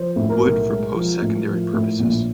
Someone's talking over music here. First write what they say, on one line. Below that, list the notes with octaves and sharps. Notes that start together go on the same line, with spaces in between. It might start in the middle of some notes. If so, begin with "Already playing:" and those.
Wood for post-secondary purposes.
Already playing: F3 C5
A2
A#4
B1
G#3
F3
A2
F3
A2
A#1